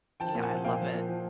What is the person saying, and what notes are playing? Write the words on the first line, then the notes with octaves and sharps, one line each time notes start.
Yeah, I love it.
F3 G5 A5
A#2
F#5 G#5
F3
A#2 F5 G5
F3
A#2
F3